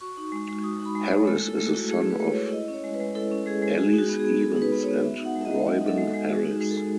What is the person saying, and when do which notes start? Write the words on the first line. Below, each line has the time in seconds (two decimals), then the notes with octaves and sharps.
Harris is the son of Allies Evans and Reuben Harris.
0.01 F#4 C#6
0.17 D#4
0.32 G#3
0.48 G#3
0.64 F#4 D#6
0.80 D#4
0.85 B5
0.95 G#3
1.06 C#5
1.11 G#3
1.27 A3 A4
1.42 E4
1.47 A4
1.58 A3
1.69 F#4
1.74 E4
1.89 A3 G#4
2.05 E4
2.11 B4
2.20 A3
2.32 C#5
2.37 E4
2.52 E4 D#5
2.68 C#4
2.74 C#5
2.84 G#3
2.94 B4
3.00 G#3
3.15 E4 A4
3.31 C#4
3.46 G#3 G#4
3.62 G#3
3.78 F#4 G#4
3.94 D#4 F#4
4.09 B3
4.20 G#4
4.25 B3
4.40 F#4 A4
4.57 D#4
4.62 B4
4.72 B3
4.83 C#5
4.88 B3
5.03 F#4 E5
5.19 D#4
5.25 F#5
5.36 G#3
5.41 E5
5.45 D#5
5.51 G#3
5.67 F#4 E5
5.81 D#4
5.87 A4
5.98 G#3
6.08 A4
6.13 G#3
6.29 F#4 G#4
6.45 D#4
6.61 G#3
6.71 A4
6.77 G#3